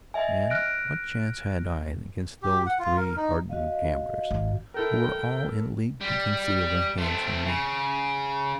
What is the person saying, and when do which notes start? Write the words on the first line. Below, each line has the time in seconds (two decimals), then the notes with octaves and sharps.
And what chance had I against those three hardened gamblers, who were all in league to conceal their hands from me?
0.14 D#5 E5 G#5
0.50 F6 F#6 A#6 D7
2.43 G4
2.66 F#5
2.80 F4
2.97 A#4
3.16 D#4
3.49 F#4 D#5 F5
4.31 G#1
4.74 E4 A4 A#4 G5
6.01 G3
6.98 A3 C4
7.45 C#3